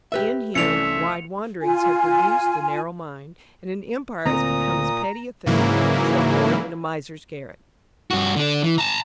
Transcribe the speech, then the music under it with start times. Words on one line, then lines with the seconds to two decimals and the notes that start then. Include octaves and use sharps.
In him, wide wanderings have produced the narrow mind, and an Empire has become as petty a thing as the hoard in a miser's garret.
0.12 G4 B4 E5
0.55 C2 E3 A3 C#4 D5 E5 C#7 F7
1.61 F4 G#5
4.26 D2 A#2 C4 A#5 D#6
5.46 G#2 C#3 E3 F#3 A#3 E4
8.11 G2 F#4
8.36 D3 D4
8.63 E3
8.78 A5 A#5